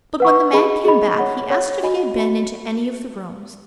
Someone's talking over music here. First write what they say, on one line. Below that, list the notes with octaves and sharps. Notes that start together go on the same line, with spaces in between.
But when the man came back, he asked if he had been into any of the rooms.
B4 F#5 C#6
G#4 D#5 B5
G#4 D#5 B5
C#5 F#5 B5
C#5 F#5 B5
F#4 D#5 G#5 B5
F#4 D#5 G#5 B5